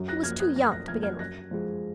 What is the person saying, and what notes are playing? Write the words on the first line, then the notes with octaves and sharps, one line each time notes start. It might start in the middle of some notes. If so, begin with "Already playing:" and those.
He was too young, to begin with.
Already playing: F#2
F#6 A#6
F3 A#3 F6 G#6
D#6 F#6
F#2 F#6 A#6
F#6 A#6
F3 A#3 F6 G#6
F6 G#6
F#2 F#6 A#6
F3 G#3